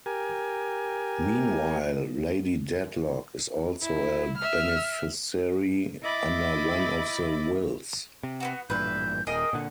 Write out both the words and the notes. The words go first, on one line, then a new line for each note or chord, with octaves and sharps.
Meanwhile, Lady Dedlock is also a beneficiary under one of the wills.
G4 A#4 G#5
E4
E5 F6
E4 D#5 E5 B5 D6 A6
C3
B3 C4 F#4
A1 G2 A#2 B4 E5 G6
D#1 G#4 A#4 D#5 G5
A#2 D3 F#5